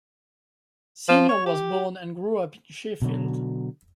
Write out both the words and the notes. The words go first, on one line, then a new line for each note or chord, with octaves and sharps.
Senior was born and grew up in Sheffield.
F3
C#5
G4
B2 D3 F#3